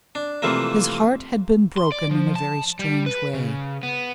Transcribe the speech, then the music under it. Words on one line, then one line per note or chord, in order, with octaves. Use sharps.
His heart had been broken in a very strange way.
D4
C3 E3 F3 A3 A#3
C6
D5
F3
A5
G3
B4
C#3
B3